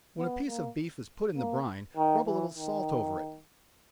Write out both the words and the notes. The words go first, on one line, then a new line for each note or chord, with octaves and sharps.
When a piece of beef is put in the brine, rub a little salt over it.
B3
A#3
A#3
D#3
E3
D#3